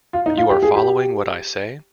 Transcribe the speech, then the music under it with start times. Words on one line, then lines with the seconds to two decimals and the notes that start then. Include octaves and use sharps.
You are following what I say?
0.13 F4
0.26 D#4
0.37 F4
0.50 G4
0.63 G#4
0.75 G4